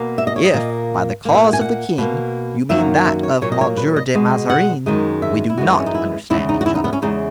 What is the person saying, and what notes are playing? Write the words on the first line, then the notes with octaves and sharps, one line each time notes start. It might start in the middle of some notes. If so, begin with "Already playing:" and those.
"If by the cause of the king you mean that of Monsieur de Mazarin, we do not understand each other."
Already playing: B2 A#3
E5
D#5
C#5
D#5
A#2 A#3
A#2 A#3
E5
F#5
G#5
F#5
B2 A#3
F#2 D#3 F#3 A#3 E5
E5
C#5
A#2 F#3 A#3 C#5
D#5
C#5
B4
D#5
B2 G#3
F#5
F#2 D#3 G#3
E5
E4
F#2 E3 G#3 F#4
B3
C#4
D#4
E4
E2 C#3 G#3 E4
D#4
F#4
E4
D#4
B3
C#4
E2 C#3 G#3 D#4